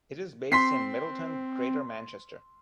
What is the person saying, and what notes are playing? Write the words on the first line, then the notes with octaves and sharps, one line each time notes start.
It is based in Middleton, Greater Manchester.
C4 C6 B6 C7